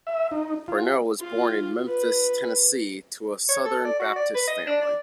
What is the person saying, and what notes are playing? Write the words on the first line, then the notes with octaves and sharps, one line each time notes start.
Parnell was born in Memphis, Tennessee, to a Southern Baptist family.
E5
D#4
F4
F4
B4
C#5
A4
D5
F#4
D5
B4
D#5
D4
D5